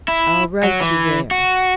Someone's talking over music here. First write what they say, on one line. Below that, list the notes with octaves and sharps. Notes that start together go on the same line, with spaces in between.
"I'll write you there."
E4
F#3
E3
F#4